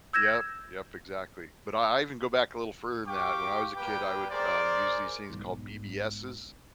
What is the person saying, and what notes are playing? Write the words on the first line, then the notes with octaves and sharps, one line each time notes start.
Yep, yep, exactly, but I I even go back a little further than that, when I was a kid, I would, um, use these things called BBSs.
E6 G6 G#6 A#6 E7
G4 F5 G5 C#6 D6
G3 A#3 G4 B4 G5
G#4 A#4 C5 D5
B1 G#2